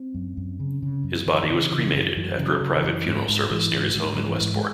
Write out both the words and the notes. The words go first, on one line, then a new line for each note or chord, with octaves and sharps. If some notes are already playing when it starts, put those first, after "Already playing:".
His body was cremated after a private funeral service near his home in Westport.
Already playing: C4
F#2
F#2
C#3
C#3
F#2
F#2 D#3
E3
D#3
C#3
E3
C#3
E3
D#3
F#2
F#2 E3
F#3
C#3 E3
F#3
C#3
E3
F#2
G#2
G#2
G#2 E3
G#2
E3
G#2 D#3
G#2 F#3
E3
G#2
G#3